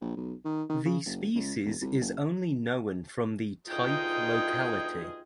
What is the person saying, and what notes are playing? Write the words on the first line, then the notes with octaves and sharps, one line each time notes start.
The species is only known from the type locality.
A#1
B1
D#3
D#3
C#3
F#1
C#2
E1
C2
F#1
D2 B2 D#4 F4 G#4 D#5 G5